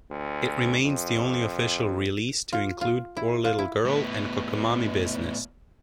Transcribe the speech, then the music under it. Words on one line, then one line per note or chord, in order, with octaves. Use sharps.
It remains the only official release to include "Poor Little Girl" and "Cockamamie Business".
D2
F2
F4
F4
E4
F4
E4
A2 B3